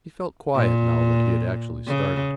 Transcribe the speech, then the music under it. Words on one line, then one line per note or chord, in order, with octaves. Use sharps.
He felt quiet now that he had actually started.
A#2
C#3